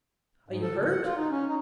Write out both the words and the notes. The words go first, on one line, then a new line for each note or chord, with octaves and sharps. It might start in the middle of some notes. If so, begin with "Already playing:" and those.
Are you hurt?
G#2
A4
C#3
F#5
F4
D#4
C#4
D#4